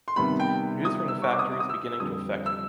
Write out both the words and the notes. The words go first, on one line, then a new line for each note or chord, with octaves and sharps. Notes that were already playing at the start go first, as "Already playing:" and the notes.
News from the factory is beginning to affect me.
C6
C3 D#3 G3 B3 B5
G5
D#6
E6
C#6
D6
D#6
D6
D#6
E6
E6
F2 D3 G3 D#6
E6